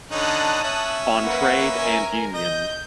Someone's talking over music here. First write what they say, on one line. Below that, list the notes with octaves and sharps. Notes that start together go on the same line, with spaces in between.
On trade and union.
D3 C#4 D#4 A5 D#6 F#6
C#4 E5
A#3 B4 F#5
A#4 G#5
D#5 G6